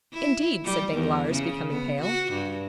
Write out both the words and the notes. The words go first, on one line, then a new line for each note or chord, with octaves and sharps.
"Indeed?" said Danglars, becoming pale.
E4
G3
E2
C#3
B3
F#4
G2